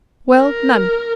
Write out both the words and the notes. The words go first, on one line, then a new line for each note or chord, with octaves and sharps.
Well, none.
A#4